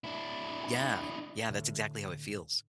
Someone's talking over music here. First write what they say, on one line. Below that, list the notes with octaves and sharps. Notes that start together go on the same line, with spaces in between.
Yeah. Yeah, that's exactly how it feels.
D4 E4
A2 D3